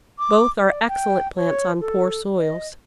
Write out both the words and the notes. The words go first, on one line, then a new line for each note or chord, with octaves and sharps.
Both are excellent plants on poor soils.
D6
D5
G5
C#5
A4
D#5